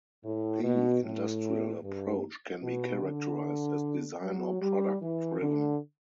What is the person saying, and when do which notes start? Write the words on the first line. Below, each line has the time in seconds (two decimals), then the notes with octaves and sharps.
The industrial approach can be characterized as "design" or "product" driven.
0.25 A2
0.64 B2
1.04 A2
1.84 G2
2.63 B2
3.03 D3
4.22 F#3
4.62 G3
5.02 E3
5.41 D3